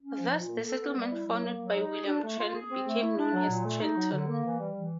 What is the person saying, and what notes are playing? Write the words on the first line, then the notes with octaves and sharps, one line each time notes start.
Thus the settlement founded by William Trent became known as Trenton.
C#4
F3
A#2
A#3
A4
B3
G3
E4
F#3
A#3
F#3
D#4
G#4
D4
A3
F4
G#4
C4
A3
E4
D4
F#3
A#2
A3
D#4
F#3
D3
A#3
E3
G3
E3